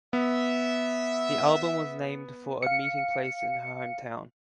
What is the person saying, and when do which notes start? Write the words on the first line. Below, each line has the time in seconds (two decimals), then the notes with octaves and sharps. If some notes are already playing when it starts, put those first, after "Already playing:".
The album was named for a meeting place in her home town.
0.13 B3 E5
2.62 F5 C#7